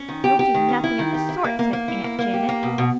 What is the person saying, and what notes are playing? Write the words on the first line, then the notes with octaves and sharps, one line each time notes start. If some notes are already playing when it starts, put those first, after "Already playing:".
"You'll do nothing of the sort," said Aunt Janet.
Already playing: C#4
D#3
G4
G4
D#3
C#4
E4
D#3
G4
E4
A#3
A#3
A#3
E4
A#3
A#3
G4
A#3
B2
B2